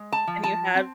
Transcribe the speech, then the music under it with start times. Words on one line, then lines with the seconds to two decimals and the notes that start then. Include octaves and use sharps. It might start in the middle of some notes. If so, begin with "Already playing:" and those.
And you have
Already playing: G#3
0.12 A5
0.27 F3
0.44 A5
0.75 C4